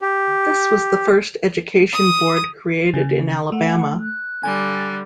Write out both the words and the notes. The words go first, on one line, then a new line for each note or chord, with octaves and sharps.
This was the first education board created in Alabama.
G4
D#6
C#3
A3 F#5
F#6
D3 G3 G#5